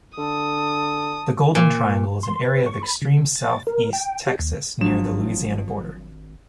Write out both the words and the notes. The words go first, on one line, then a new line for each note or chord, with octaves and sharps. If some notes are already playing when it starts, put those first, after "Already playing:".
The Golden Triangle is an area of extreme Southeast Texas near the Louisiana border.
D3 A5 D#6
A#2
C6
B4
C#6
B5
C#3
A6
A#4
G5
G4
D#2
G#1 F3 F#3 D4 E7